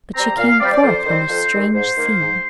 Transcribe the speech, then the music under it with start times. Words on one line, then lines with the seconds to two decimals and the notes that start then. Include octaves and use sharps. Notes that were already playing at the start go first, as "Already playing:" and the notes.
But she came forth on a strange scene.
0.15 G3 C4 A#5
0.38 A#2 F5
0.60 C4 D5
0.64 G3
0.71 D5
0.83 F2 C5
1.05 D#3 G3 C4
1.28 F2
1.51 D#3 G3 C4
1.73 G#2 C5
1.96 D#3 A#3
2.19 G#2